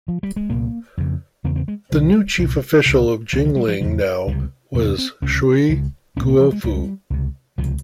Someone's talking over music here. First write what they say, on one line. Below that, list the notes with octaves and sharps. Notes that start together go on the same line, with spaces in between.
The new Chief Official of Jingling now was Cui Guofu.
F3
G3
G#3
C2 A#2 A#3
F2 C#3
E2 C#3 C4
C4
G#3
C2 C3 G3
C2 A#2
C#2 C3
C#2 C#3 F3
F3
G3
F3
E2 C#3 F3
C#2 C3 G3
E2 C3 A#3
C4
C#2 C3 C#4
C#2 C#3
C2 A#2 C#4
A#3
F3
G#3
C#2 C#3 G3
C#2 C3
C#2 C3 F3